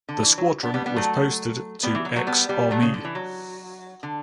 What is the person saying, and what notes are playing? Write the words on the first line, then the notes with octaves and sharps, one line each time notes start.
The squadron was posted to "X Armee".
D3
E3
F#3
B3 D4
G3 B3
G3 B3
F#3 A3
G3 B3
E3
F#3
F#3 A3
G3 B3
G3 B3
F#3 A3
C#3
D3
E3
F#3
D3